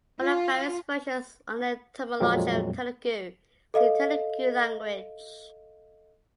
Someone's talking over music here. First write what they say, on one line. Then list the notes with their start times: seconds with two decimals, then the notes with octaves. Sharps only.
For the various versions on the etymology of Telugu, see Telugu language.
0.20 F4
2.20 F2 A#2 F#3 G#3 A#3 C4
3.74 A4 D#5 F5